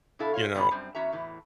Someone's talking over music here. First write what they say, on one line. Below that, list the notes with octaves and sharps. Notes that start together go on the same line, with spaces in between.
you know,
B2 D4 E4 A4 F5
F4 C#5 F5
A#2 F3 G3 B3 C#4 D4
F#2 G3 C4 C5
E2 C#4 F#4 E5 A#5
E2 A2 E3